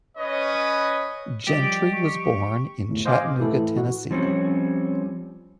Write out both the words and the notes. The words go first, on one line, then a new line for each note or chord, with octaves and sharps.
Gentry was born in Chattanooga, Tennessee.
C#4 B4 C#5 D#5
F3 G3 G4 D5 D#5
C#6
G1 E2 A2
C5 D#5 F5 G#5 D6
C3
A2 E3 E4 A4
F#4
F3 G3 C4 C#4